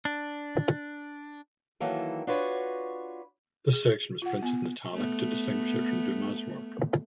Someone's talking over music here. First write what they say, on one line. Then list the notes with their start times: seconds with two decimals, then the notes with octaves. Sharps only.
This section was printed in italic to distinguish it from Dumas' work.
0.05 D4
1.80 D#3 E3 F#3 A#3 A4
2.27 D4 F4 F#4 B4 C#5
3.73 G#4
4.22 F4 F#5
4.43 B3 G#5
4.94 A3 B3